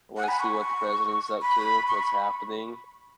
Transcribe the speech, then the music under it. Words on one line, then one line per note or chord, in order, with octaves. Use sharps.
I wanna see what the president's up to, what's happening.
F#5
G#5
B5
C#6
B5
C#6
B5